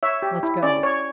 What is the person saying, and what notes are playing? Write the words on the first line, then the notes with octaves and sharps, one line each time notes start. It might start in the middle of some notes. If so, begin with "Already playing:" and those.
"Let's go!"
C#5 E5
G4
E4
C#4 D5
C#5